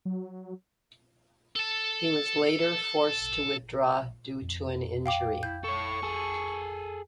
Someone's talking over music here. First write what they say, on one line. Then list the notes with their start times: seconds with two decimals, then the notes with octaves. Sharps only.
He was later forced to withdraw due to an injury.
0.05 F#3
1.56 A4 A5
4.42 F2
5.06 F5 G5 D6
5.43 E4 G6
5.64 A4 C#5 C#6
6.03 G#4 A4